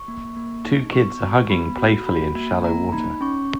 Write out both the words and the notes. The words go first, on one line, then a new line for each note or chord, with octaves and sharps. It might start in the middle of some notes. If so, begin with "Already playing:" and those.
Two kids are hugging playfully in shallow water.
Already playing: C#6
A#3
A#3
D#4
B3 C#6
F#4
B3 B5
F#4
F#4 B5
A#3
A#3 A#5
D#4 B5
C#4 C#6